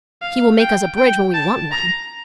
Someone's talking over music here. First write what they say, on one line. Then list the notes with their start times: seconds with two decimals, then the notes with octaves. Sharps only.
He will make us a bridge when we want one.
0.22 F5
0.60 G5
0.97 G5
1.34 A5
1.72 A#5